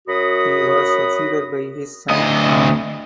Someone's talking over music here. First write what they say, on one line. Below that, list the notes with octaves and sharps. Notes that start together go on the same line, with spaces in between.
He was succeeded by his son Kang.
F#2 F#4 B5 D#6
D2 D#5